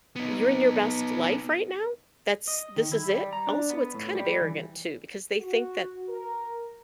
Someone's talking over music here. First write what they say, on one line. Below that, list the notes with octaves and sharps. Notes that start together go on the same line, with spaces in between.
you're in your best life right now? That's this is it?” Also, it's kind of arrogant, too, because they think that
B3 D#4
D#5
D#3
E4
G3
A#5
D4
B3
A2
G3
E3
F#4
A#4